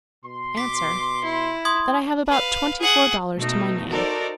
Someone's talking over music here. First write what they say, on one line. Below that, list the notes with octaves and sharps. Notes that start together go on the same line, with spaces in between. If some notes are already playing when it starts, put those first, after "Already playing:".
Answer.--That I have about twenty-four dollars to my name.
B2 C6
D6 B6
E4
C6 D#6 G#6
B4 F5
G#4 F#5
B2 A3 D#4
D#4 F#4 A4 A#4 C5 D5